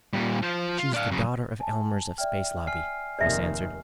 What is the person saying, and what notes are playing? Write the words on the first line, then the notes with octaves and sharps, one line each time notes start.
"She's the daughter of Elmers of Space Lobby!" Chris answered.
A#2 G3
F3 C5
F4
D4 F5
F#2 C#3
G#5 A5
D5 E5 G5 F6
G#5 F6 C7
F1 D#2 D#3 D5 E5